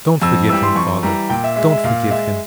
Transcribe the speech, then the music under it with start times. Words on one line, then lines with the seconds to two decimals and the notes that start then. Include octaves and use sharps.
'Don't forgive him, father, don't forgive him!
0.22 F2 E6
0.49 E3 G3 E6
0.63 C6
0.75 F2 C#6
1.03 E3 G3 A#5
1.30 A#2 G5
1.44 E5
1.56 G#3 E5
1.70 E5
1.84 A#2 F5
2.10 G#3 E5